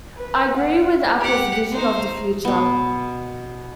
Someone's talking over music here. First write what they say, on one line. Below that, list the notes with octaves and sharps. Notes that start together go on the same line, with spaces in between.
I agree with Apple's vision of the future.
B4
F#5
G4 F#5
D#4 C5
B2 B3